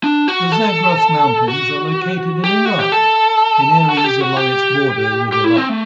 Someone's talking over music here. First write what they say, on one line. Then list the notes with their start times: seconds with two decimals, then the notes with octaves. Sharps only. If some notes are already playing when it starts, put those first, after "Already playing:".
The Zagros Mountains are located in Iran, in areas along its border with Iraq.
0.04 D4
0.28 F#4
0.52 A4
1.48 F#4
2.44 G4
2.65 F#4
2.79 G4
2.92 A4
3.89 F#4
3.97 A4
4.04 G4
4.21 F#4
4.37 G4
5.32 G4
5.44 E4
5.57 C4
5.69 A3